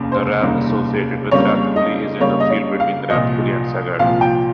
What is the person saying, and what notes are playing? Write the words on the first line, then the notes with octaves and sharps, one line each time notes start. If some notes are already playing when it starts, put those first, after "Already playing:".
The rath associated with Rathcoole is in a field between Rathcoole and Saggart.
Already playing: F1 D#2 C#3 A#3
C5
F1 D#2 C#3 G3 A#3
F2 C#3 G3 A#3 C#5
D#5
F2 C#3 G3 A#3 C#5
D#5
C#5
F5
C2 A#2 F3 D#5
C2 A#2 F3 F5
G5